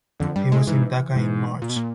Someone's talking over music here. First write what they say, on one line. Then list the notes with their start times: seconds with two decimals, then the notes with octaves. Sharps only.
He was in Dhaka in March.
0.20 F2 D3
0.36 G2 G3
0.52 A2 G#3
0.67 G#2 E3
1.15 G#2
1.62 A#2
1.69 B2
1.76 A#2